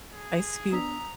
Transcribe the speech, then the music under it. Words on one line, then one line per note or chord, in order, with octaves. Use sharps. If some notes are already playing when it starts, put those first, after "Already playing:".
I scoop
G#4
B3 D4 A#5 D#6 E6 B6